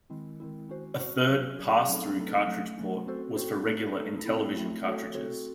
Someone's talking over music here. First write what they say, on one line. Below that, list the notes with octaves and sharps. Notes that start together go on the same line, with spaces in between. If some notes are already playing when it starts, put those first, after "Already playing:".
A third pass-through cartridge port was for regular Intellivision cartridges.
D#3 G#3 C4 E4
D#3 G#3 C4 E4
C#4 F#4 C5
C#4 F#4 C5
F#3 C#4 G#4 C#5
F#3 C#4 G#4 C#5
F#3 A3 C4 D#4 A4
F#3 A3 C4 D#4 A4
F#3 A3 C#4
F#3 A3 C#4
C4 F#4 A4 C5
C4 F#4 A4 C5
A3 D#4 A4
A3 D#4 A4
A3 C4 E4
A3 C4 E4
A3 C4 F#4 A4 C#5
A3 C4 F#4 A4 C#5